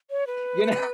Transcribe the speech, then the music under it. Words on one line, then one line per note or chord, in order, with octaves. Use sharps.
you know?
C#5
B4